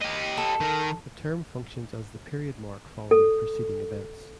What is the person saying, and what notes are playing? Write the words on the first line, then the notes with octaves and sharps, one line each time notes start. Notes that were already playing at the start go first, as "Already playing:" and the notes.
The term functions as the period mark following preceding events.
G4 D#5
A4
D#3 A#4
A4